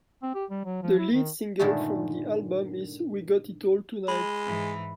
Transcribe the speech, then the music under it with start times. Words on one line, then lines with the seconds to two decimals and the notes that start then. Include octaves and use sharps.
The lead single from the album is "We Got It All Tonight".
0.23 C4
0.35 G4
0.51 G3
0.65 F#3
0.83 F3
0.98 E4
1.13 D#3
1.59 G2 A#2 D3 D#3 G#3 A3
4.08 G#3 B5
4.47 G#2 E3